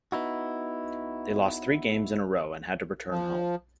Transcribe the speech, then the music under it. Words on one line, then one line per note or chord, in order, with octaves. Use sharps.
They lost three games in a row, and had to return home.
B3 D#4 E4 F#4
F3